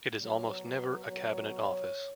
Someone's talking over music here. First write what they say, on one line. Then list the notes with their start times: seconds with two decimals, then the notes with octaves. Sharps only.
It is almost never a Cabinet office.
0.20 B2 F#3 C#5
0.63 B4
1.04 B2 F#3 C#5